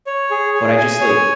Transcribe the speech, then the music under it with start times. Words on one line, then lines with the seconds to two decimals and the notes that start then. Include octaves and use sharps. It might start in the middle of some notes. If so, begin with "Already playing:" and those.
But I just, like
0.07 C#5
0.30 G#4
0.54 G#4
0.78 G#5
1.01 C#5